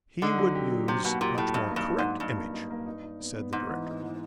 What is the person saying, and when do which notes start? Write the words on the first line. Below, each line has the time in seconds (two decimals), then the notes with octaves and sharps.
"He would use much more correct language," said the director.
0.22 D3 D#4
0.38 F#3
0.55 G4
0.71 F#3
0.88 C3 F#3
1.04 B2 A#3
1.21 A#2 G4
1.38 A2 F#3
1.54 G2 D#4
1.71 A#3
1.76 G2
1.87 D#4
1.98 G#2
2.04 A#3
2.20 G2 D#4
2.37 A#3
2.53 D#4
2.70 A#3
2.86 D#4
3.03 D#4
3.19 B3
3.36 B3
3.52 G#2 D#4
3.69 E3
3.85 D#4
4.02 E3